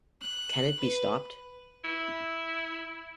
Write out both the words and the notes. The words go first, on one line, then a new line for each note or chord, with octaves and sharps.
Can it Be Stopped?
F#6
B4
E4